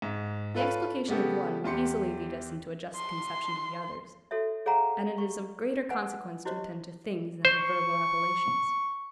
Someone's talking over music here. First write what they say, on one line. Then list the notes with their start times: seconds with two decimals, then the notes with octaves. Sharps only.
The explication of one will easily lead us into a just conception of the others; and it is of greater consequence to attend to things than to verbal appellations.
0.02 G#2
0.55 F4 A4 B4 C#5 F5
1.08 C#3 G#3 B3 G4 A4
1.64 E2 G4 C6 C#7
2.96 C6
4.31 F#4 A4 C#5 E5
4.66 G#4 C#5 F5 F#5 G#5 A#5
5.18 C#6
5.90 B4 F#5 G#5
6.45 E4 F#4 G4 C5 C#5 D#5
7.45 C5 C#6